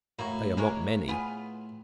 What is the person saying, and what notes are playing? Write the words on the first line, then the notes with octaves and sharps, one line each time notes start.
They are not many.
A2 A#3 F#4
G#3 A#3 C#5
B3 F4 G#4